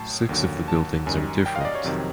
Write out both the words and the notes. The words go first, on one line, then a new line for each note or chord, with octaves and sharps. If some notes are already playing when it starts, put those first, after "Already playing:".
Six of the buildings are different.
Already playing: A2 F#3 A5
D#2 D3 F#3
A5
F#2 D#3 G3 G#5
G5
F5
D#5
D5
C#5
F2 C3 D#3 F#3